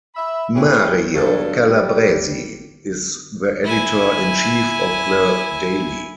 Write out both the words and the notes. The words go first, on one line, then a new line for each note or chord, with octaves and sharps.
Mario Calabresi is the editor-in-chief of the daily.
E5 B5
C#4 E4 G4 G#4 B4 C#5
G2 F#3 A4
G3
E4 G#5